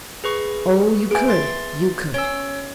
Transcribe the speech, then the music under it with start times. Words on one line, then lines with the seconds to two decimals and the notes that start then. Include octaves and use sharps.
"Oh, you could--you could."
0.24 G#4 B4 C#6
1.11 B3 E4 G#4 G#5 D7
1.28 C6 A6
2.14 C#4 C#5 E6